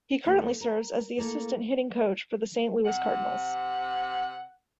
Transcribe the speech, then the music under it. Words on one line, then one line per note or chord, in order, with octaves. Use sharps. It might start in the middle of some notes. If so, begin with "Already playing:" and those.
He currently serves as the assistant hitting coach for the Saint Louis Cardinals.
D#2 A3 B4
A#4
A2 A#3 A4 F5
C3 F#5